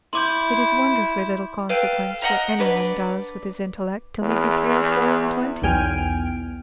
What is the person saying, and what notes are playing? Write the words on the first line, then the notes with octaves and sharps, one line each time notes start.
It is wonderfully little consequence what any one does with his intellect till he be three or four and twenty.
E4 C6 D6 G6
A4 B4 F5 G5
D#5 F#5 G5 A#5
D4 B4 C#5 D5
E2
B1 E2 G5 G#5 F6 D7